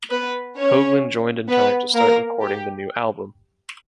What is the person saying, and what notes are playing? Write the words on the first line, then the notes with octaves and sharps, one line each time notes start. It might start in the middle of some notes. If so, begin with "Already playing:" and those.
Hoglan joined in time to start recording the new album.
B3 B4
C#4 C#5
B3 B4
A#3 A#4
G4